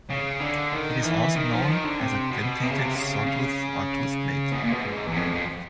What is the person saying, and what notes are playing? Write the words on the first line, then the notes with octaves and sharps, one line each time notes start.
It is also known as a dentated, sawtooth, or toothed blade.
C#3
D3
D#3
E3
D#3
F3
D#3
D3
C3
B2
C3
C#3
C3
C#3
C#3
B2
A#2
B2
G#2
E2
F2
F2